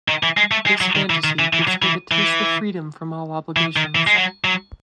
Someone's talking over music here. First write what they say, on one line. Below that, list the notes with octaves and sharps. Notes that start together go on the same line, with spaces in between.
This fantasy gives her the taste of freedom from all obligations.
D#3
E3
G#3
A3
G#3
F#3
D#3
E3
D#3
E3
E3
F#3
E3
E3
E3
D#3
E3
G#3
F#3
F#3